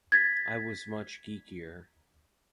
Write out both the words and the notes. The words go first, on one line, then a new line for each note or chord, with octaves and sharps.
I was much geekier.
G#6 A6 B6